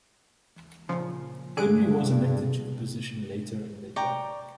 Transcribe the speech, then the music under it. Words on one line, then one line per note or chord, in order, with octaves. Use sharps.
Henry was elected to the position later in the year.
A#2 C#3 F3
C2 G2 D3 C#4 G#4 G#5 F#6 D7
D5 G5 A#5 C#6